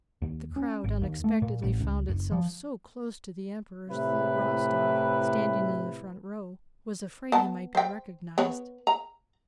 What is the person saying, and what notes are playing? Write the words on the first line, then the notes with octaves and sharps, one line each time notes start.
The crowd unexpectedly found itself so close to the Emperors that Rostov, standing in the front row, was afraid he might be recognized.
D#2
C#4
G#1
D#2
A3
A#2
A1
C#2
F#1
F3
A2 C3 E4 B4
B3 A5
C5 G5
B3 B4 C#5
A#5